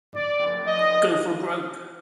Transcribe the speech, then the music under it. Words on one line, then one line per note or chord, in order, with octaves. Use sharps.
Go for Broke!
D5
D#5